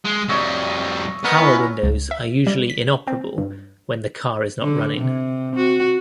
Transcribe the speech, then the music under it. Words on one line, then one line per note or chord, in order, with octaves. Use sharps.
Power windows are usually inoperable when the car is not running.
G#3
F2 G3 C#5 D#5 E5
B3 A#4 D#5
C#4 E4
C#2
E5
G3
B6
C4
G2
D3
C3
F#4